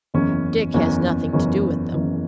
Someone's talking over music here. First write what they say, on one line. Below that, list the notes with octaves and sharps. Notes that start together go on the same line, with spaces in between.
Dick has nothing to do with them.
F#1 E2 E3 C#4
F#1 E2 E3 C#4
F#1 E2 E3 C#4
F#1 E2 E3 C#4